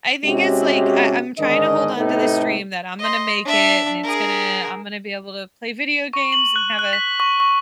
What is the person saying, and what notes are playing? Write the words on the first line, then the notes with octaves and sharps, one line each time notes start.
I think it's like, I I'm trying to hold on to this dream that I'm gonna make it and it's gonna I'm gonna be able to play video games and have a
C3 G#3 C#4 F#4 G4
G#2 D3 D#3 D4 D#5
A2 C3 D#4 A4 B4
D#5 C6
D4 E5
G#4 A#4
C#6
F#7
F#6
F#6
B6
C#6
C#6